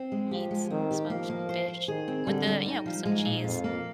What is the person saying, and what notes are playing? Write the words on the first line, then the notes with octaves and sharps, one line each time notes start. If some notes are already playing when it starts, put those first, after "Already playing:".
Meats, smoked fish with the you know, some cheese
Already playing: C4
G#3
F3 G4
G#3
D#3 C4
G4
F3 A#3
A#3
C5
C5
D#3 G#4
C4
D3 G3
G3
D#4
F3
G#2 G#3
A#2
F2 F4
A#3